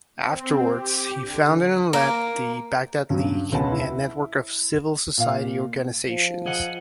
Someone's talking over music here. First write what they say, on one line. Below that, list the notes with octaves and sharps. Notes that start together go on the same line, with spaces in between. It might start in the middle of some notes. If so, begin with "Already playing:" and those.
Afterwards he founded and led the "Baghdad League", a network of civil society organisations.
C4
G4
D3
A#3
G2 C#3 F#3
C#2 B2 C#4 B4 F#5 A5
E4
A#2 F5
F3
G#4 D#5 F#5